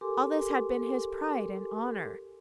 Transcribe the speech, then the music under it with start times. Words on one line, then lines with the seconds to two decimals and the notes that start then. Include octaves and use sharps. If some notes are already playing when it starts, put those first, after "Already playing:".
All this had been his pride and honor.
0.01 G4 A4 A#4 G#5 C6 D6